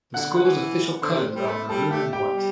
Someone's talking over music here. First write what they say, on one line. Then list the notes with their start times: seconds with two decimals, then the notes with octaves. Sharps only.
The school's official colors are maroon and white.
0.14 D3 F#5 F#6
0.29 D3
0.36 F#5 F#6
0.43 E3
1.02 D3 C5 C6
1.14 C3
1.36 G3
1.47 A3 B4 B5
1.68 G3 A4 A5
1.90 A3 G4 G5
2.13 G4 G5
2.35 G3